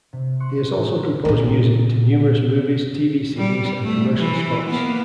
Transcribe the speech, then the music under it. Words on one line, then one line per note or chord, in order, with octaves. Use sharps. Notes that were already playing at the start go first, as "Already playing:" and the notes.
He has also composed music to numerous movies, tv-series and commercial spots.
C3
C6 C#6 F#6
A2
A#2 C#3
G3
A3
E3
A#3 B3